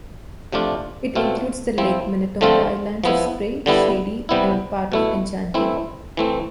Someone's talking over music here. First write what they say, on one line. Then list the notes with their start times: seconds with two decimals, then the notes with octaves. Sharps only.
It includes the Lake Minnetonka islands of Spray, Shady, and part of Enchanted.
0.52 C3 F3 A3 D4 F4
1.15 B2 A3 C4 F4
1.78 F3 C4 E4
2.41 D3 F3 A3 C4 F4
3.04 F3 B3 E4
3.66 D3 G3 B3 E4
4.29 C3 G3 B3 E4
4.92 B2 A3 E4
5.54 E3 A3 C4 E4
6.17 E3 A3 C4